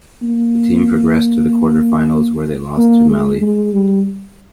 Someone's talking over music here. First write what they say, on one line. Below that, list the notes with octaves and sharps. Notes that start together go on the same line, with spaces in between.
The team progressed to the quarter finals, where they lost to Mali.
A#3
A#3
G#3
G#3
G3